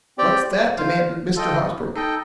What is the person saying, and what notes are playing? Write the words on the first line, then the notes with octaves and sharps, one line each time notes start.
"What's that?" demanded Mr. Hosbrook.
C4 G4 D5 G5
F4 C5 F5
F4 A4 D#5 G5
D#4 A4 D#5 G5